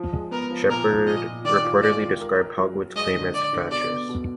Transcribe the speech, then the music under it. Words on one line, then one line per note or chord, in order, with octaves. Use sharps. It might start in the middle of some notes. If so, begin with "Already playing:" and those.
Sheppard reportedly described Hogwood's claim as "fatuous".
Already playing: F3
G#3
B3 A#4
F3
A#2 A#4
F3
A#2 D#5
A#2
D#3 D5
F4
G#3 D5
F4
A#4
A#4
F#3
F#3
G#3 D#5
D3
D3 D5
D3
B2 D5
B3
B2